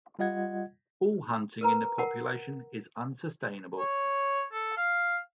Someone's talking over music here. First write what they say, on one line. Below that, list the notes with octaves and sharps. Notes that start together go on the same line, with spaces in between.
All hunting in the population is unsustainable.
G3 F4 D#5 F#5 G#6
A#4 B4 A#5
A#4 F#5
C#5
A4
F5